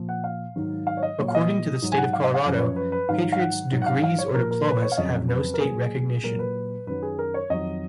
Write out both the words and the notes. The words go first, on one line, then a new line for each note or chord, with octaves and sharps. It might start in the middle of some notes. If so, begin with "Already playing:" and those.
According to the State of Colorado, Patriot's "degrees or diplomas have no state recognition".
Already playing: A#2 F3
F#5
F5
G#2 D#3 F#3
F5
C#5
D#5
A#2 F#3 C#5
F5
D#5
G#2 F#3
G#5
F#5
F5
D#5
F5
F#2 F3
B4
C#5
B4
B4
G#2 D#3 F#3 F5
F5
F#5
G#2 F#3
F#5
F5
F5
C#5
A#2 F3 A#4
A#4
B4
C#5
F5
F2 C#3 F#3 D#5
B4
A#4
A#2 F#3 G#4
A#2 F#3 A#4
B4
F#2 D#3 F#3 B4
G#4
A#4
C#5
F2 D#3 F#3 D#5